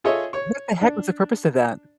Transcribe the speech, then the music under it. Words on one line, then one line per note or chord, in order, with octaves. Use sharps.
What the heck was the purpose of that?
F4 G#4 A4 C#5 D#5 E5
C#5 C#6
D4